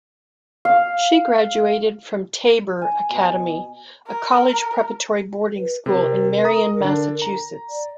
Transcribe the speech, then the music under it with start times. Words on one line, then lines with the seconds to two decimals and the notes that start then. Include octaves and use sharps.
She graduated from Tabor Academy, a college-preparatory boarding school in Marion, Massachusetts.
0.65 F5
2.81 G#5
3.10 B2
4.07 A#4
5.56 B4
5.86 C3 A#4
6.44 A#5 D#6
6.80 D3 D4
7.22 A#5
7.69 D5